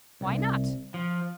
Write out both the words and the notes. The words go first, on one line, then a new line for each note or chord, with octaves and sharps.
"Why not?"
C2
F3